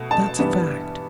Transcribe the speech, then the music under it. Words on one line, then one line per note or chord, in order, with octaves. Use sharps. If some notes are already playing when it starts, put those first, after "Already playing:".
That's a fact!
Already playing: B2 A3
A5
G2 E3 G3 B3